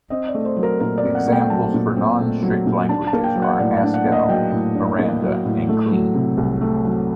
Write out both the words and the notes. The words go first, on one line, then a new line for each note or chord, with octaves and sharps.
Examples for non-strict languages are Haskell, Miranda, and Clean.
C4 D#5
D5
A3
C5
F#3
A#4
A#2 A#4
D5
C4
F#5
A3 G5
F#3 A5
A#2
C4
A3
F#3
A#2
D4 A5
A5
A#3
G5
F#3
F#5
A2 D5
D5
D4
F#5
A#3
D#5
F#3 G5
A2
D4
A#3
F#3
A2
A3
F#3
C3
C2
A3
F#3